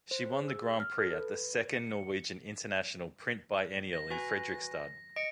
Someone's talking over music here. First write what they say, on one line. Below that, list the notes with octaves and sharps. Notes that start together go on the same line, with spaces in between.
She won the Grand Prix at the second Norwegian International Print Biennale in Fredrikstad.
C5
G#4
E6
F6
A4
B4
C#7
A#6
F#4 B4 G#5
D#5 C#7 D7